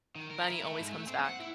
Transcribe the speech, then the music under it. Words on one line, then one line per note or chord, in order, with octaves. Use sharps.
money always comes back?
D#3
A#4
E4
A3
G#2
A3
C4
F#5
E4